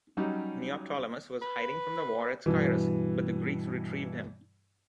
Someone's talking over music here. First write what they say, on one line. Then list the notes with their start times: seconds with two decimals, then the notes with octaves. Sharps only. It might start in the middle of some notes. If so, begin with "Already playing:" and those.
Neoptolemus was hiding from the war at Scyrus, but the Greeks retrieved him.
0.17 F#3 G3 C#4 D#4 G4
1.42 B4
2.46 G2 B2 E3